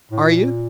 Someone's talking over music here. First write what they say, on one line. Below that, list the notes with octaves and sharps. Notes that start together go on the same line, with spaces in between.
"Are you?"
A2
A#2